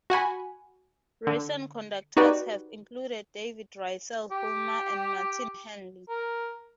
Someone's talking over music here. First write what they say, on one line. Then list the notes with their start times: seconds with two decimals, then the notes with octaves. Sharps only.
Recent conductors have included David Russell Hulme and Martin Handley.
0.10 F#4 F#5 G#5 B5
1.27 D3
2.17 D#4 F#4 G4 B4 D5
4.31 G4
6.09 A#4